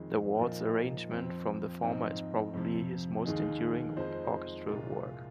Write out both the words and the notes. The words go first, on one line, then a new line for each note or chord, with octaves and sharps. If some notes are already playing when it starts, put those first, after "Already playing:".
The waltz arrangement from the former is probably his most enduring orchestral work.
Already playing: F2 D#3 G#3
A#2 F3 A#3 D#4
F2 F3 C4
G#2 F3 C4 D#4
F2 C3 F3
D#2 D#3 G#3 D#4 G#4
F2 F3 G#3 D#4 C5
C2 A#2 G#3 F4